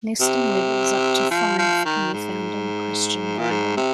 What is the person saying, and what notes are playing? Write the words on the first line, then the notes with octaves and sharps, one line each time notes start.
Nesting levels up to five can be found in the Christian Bible.
C3
F3
F3
D#3
G#2
A#2
G#2
C3